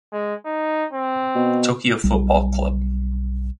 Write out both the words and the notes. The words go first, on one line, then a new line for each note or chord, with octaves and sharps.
Tokyo football club.
G#3
D#4
C4
B2
B1 G3